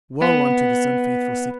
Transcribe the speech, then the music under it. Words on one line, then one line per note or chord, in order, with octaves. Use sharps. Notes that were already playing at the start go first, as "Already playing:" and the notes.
Woe unto this unfaithful city!
B3